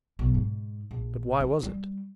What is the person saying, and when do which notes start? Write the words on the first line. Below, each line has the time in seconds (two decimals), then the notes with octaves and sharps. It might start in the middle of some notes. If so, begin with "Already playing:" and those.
But why was it?
0.19 B1
0.35 G#2
0.91 A#1
1.40 D#4
1.63 G3